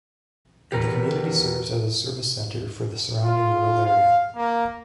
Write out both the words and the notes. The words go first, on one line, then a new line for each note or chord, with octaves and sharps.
The community serves as a service centre for the surrounding rural area.
E2 G4 A#4 B4
F4
F5
A#3